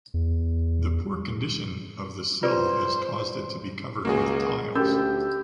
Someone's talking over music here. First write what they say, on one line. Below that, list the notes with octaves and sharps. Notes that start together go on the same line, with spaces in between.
The poor condition of the sill has caused it to be covered with tiles.
E2
F4 B4 C5 D5
C#2 A#3 F#4 G#4
D2 C#4 G4 E6 G6